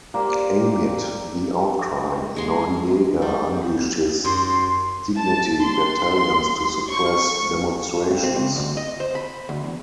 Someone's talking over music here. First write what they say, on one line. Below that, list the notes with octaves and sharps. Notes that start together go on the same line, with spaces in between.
Amid the outcry, Noriega unleashed his Dignity Battalions to suppress demonstrations.
A#3 G4 C5 D5
G#3 C6
G3
F#2 C6
A5
C6
C#6
G2
C4
C#2
D2
D#5
C5
B5
D2
E2